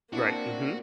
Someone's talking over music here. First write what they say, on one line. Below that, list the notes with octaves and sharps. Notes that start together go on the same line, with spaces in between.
Right, mhm.
A#3 C4 D4 E4 F#4 E5